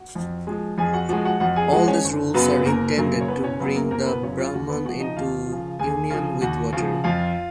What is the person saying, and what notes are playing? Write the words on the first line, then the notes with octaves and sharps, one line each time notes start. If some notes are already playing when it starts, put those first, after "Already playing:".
All these rules are intended to bring the Brahman into union with water.
Already playing: F#4
F2
F3 G#3
F2 G#4 G#5
F#4 F#5
F3 G#3 F#4 F#5
F#4 F#5
F2 F#4 F#5
G#4 G#5
F3 G#3 F#4 F#5
C#4 C#5
F#1
F#2 C#3 F#3 B3 B4
F#1 A#3 A#4
F#2 C#3 F#3
C#5
F#1 B3 B4
C#4 C#5
F#2 C#3 F#3 B3 B4
A#3 A#4
F#1 A#3 A#4
B3 B4
F#2 C#3 F#3 C#4 C#5
F4 F5
D#2 F#4 F#5
B3 B4
C#3 F3 F#4 F#5
D#4 D#5
D#2 F4 F5
C#3 F3
D#2 G#4 G#5
C#3 F3
D#2 F#4 F#5
C#3 F3
F2 F4 F5